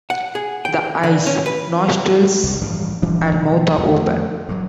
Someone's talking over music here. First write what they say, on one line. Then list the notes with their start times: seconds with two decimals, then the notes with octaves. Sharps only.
The eyes, nostrils and mouth are open.
0.10 F#5
0.35 G#4
0.65 G5
1.03 D3
1.27 C#4
1.46 B4
2.43 C2 G2
2.61 A1 G2 C#3 F3
3.02 D#1 E3 D4
3.33 B1 E3
3.78 F2 D3 D#3 A3
4.49 G2 F#3